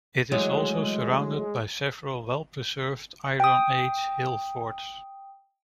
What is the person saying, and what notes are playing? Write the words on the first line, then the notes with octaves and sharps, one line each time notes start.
It is also surrounded by several well-preserved Iron-Age hill forts.
E3 F#3 G#3 A3
G5 D#6